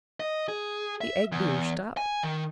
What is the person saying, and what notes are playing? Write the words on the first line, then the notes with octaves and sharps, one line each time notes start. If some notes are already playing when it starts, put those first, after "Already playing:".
The egg-beater stopped.
D#5
G#4
E5
E2
G#5
D#3